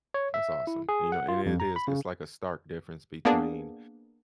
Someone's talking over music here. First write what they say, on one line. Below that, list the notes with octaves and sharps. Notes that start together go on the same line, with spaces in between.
That's awesome. You know, and it is it's like a stark difference between
C#5
E5
E4
G#4
F#5
F4
F2
A#5
B5
C#3
A#3 B3 D4 G#4